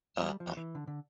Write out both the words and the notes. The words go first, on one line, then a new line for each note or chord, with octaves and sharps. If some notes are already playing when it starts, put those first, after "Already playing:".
uh, um,
G3
F3
E3
D3
D3